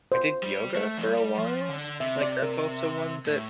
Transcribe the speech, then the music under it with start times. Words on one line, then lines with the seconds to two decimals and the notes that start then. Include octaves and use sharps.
I did yoga for a while. Like, that's also one that
0.12 C5
0.43 G3
0.75 A3
0.98 F3
1.06 G3
1.37 F3
1.69 D3
2.00 C3 E5
2.21 D5
2.42 A#4
3.26 A2